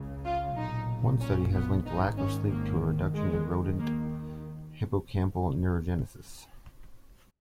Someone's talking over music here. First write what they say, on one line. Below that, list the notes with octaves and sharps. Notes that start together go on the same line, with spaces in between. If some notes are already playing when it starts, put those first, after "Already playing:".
One study has linked lack of sleep to a reduction in rodent hippocampal neurogenesis.
Already playing: C#2 C#3
F4
B1 A#2 D#4
C#4
B3
G#1 G#2 D#3 D#4
C#4
A#3
D#2 D#3 G#3
A#3